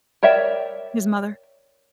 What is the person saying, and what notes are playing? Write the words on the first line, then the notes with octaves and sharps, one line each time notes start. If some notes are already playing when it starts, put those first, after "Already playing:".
His mother.
A#4 C#5 D5 E5 G5